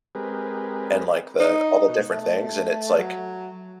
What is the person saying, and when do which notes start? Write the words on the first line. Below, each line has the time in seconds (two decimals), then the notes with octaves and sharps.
and, like, the all the different things and it's like,
0.15 G#3 C4 G4 G#4 A#4 B4
1.40 D#4
1.88 B2
2.10 A3
2.98 F#3